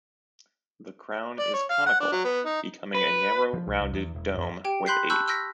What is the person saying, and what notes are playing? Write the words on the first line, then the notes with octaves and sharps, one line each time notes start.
The crown is conical, becoming a narrow rounded dome with age.
D5
C#5
F5
F#5
D4
F#3
B3
D#4
B4
F3
B1
C2
E2
E1
F2
G4 G5 D7
B5 C6 F#6 G6 B6 C7
A5 B5 C#6 E6 F#6 G6
E6 F6 G6 A#6 B6